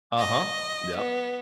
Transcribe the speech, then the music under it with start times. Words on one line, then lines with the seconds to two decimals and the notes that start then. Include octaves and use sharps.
Uh-huh, yep.
0.18 D#5
0.97 B3